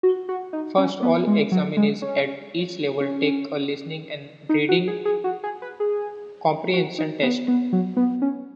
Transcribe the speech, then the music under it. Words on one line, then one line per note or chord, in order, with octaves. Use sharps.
First, all examinees at each level take a listening and reading comprehension test.
F#4
F#4
D#4
C#4
B3
G#3
F#3
G#3
C#4
C#4
D#4
F#4
G#4
G#4
F#4
G#4
B4
G#4
F#4
D#4
B3
B3
F#3
B3
C#4